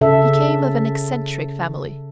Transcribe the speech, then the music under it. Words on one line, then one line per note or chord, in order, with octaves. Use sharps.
He came of an eccentric family.
C#3 A4 E5